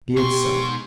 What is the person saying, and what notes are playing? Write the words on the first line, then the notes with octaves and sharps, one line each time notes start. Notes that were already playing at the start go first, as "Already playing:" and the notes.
Be it so.
G#2 B2 G4 C6 C#6